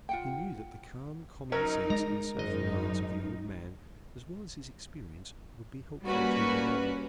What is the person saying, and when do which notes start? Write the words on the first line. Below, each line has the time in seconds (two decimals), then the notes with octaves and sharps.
He knew that the calm common sense and self-reliance of the old man, as well as his experience, would be helpful to them all.
0.09 F4 F#5 G5
1.52 F#3 C#4 D#4 A#4
1.90 G#3 A#5
2.37 G#1 F#2 D#4 D#5
6.06 G3 A#3 C#4 F#4 B4